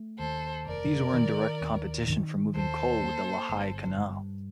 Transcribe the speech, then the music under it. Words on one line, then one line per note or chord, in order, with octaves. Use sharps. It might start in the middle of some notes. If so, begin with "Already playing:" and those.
These were in direct competition for moving coal with the Lehigh Canal.
Already playing: A3
D#2 A4 C5
F1 A#4 D5
D#3
D#2
D#3
D#2 A4 C5
A#3
G1
G2